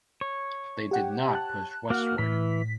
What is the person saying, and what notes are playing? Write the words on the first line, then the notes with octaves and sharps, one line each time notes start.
They did not push westward.
C#5
G4 F#5 G5
A5 F#6
A#3 F#4 F#5 F6
A2 E3 B6